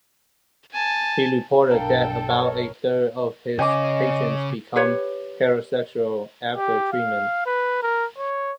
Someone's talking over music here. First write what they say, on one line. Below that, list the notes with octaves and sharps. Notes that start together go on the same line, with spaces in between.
He reported that "about a third" of his patients became heterosexual after treatment.
G#5 A5
B1 G2 D4 A4 A#4 F5 G5
A#4 C#5
C#3 C#5 D#5 G#5 D6
G4 B4 C#5
G4
F5
B4
A#4
C#5